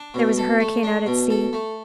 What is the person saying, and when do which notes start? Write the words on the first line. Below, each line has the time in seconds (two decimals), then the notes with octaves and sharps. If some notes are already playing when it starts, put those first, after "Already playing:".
There was a hurricane out at sea.
Already playing: D4
0.14 B2
0.38 A4
0.60 A3
0.83 D4
1.06 B2
1.30 A4
1.53 A3